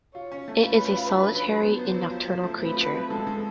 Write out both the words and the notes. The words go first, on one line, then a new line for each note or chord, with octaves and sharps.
It is a solitary and nocturnal creature.
F4 C#5
C#4
A3
F4 B4
C#4
F4
D4
F#3
F#3
B3 C5
B3
F#3
F3
F3
A3
C4 B4
F3
F3
G#3 A4
G#3